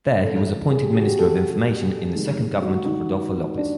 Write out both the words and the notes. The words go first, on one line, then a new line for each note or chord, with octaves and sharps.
There he was appointed Minister of Information in the second government of Rodolfo Llopis.
C#3 E3 A3 A4
G#4
G4
F#4
G4
A4
A4
G4
C3 D#3 G#3
F#4
D#4
D4